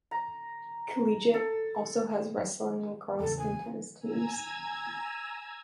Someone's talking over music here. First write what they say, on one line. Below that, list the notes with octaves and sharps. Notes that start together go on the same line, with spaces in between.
Collegiate also has wrestling, lacrosse, and tennis teams.
A#5
A4
E2 C#3 A4
G#5
G#5 A#5 E6 G#6